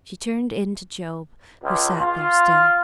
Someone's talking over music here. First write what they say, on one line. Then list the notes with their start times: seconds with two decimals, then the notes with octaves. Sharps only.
She turned in to Job, who sat there still.
1.63 C#2
1.99 F4